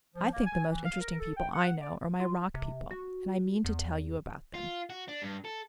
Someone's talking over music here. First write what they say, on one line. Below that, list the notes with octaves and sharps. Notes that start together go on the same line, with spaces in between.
I think the most interesting people I know are my rock people and I mean to tell you about them.
F3
A#3
G#5
E3
F5
A#4
A4
G5
F#5
D5
F4
C3
F#4
E2
F4
F#4
D4
G2
A4